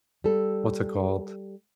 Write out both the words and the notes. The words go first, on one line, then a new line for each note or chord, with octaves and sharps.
what's it called
G3 A4